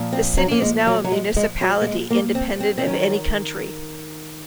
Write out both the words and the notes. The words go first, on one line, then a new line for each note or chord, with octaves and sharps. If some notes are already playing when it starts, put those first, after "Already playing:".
The city is now a municipality independent of any county.
Already playing: A#2 F3
C4
F#3
A#3
G#3
F#3
F#3
G#3
G#3
F#3
A#3
G#3
A#3
C4
C4
C4
D#3 F#3 C#4